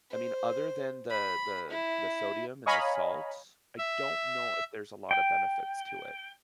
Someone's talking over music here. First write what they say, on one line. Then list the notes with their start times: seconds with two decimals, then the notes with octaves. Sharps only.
I mean, other than the the the sodium and the salt, I don't know if there's a lotta benefits to it.
0.10 C5
1.09 B5
1.70 E4
2.66 C#5 D#5 F5 G#5 A#5 B5
3.78 E5
5.11 G5